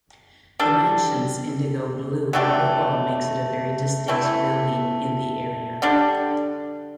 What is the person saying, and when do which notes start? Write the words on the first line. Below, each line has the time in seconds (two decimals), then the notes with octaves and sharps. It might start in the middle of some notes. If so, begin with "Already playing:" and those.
The mansion's indigo-blue outer wall makes it a very distinct building in the area.
0.59 G3 D4 A4
2.33 F#3 A3 D4 G4
4.08 E3 A3 C4 E4
5.82 D3 G3 D4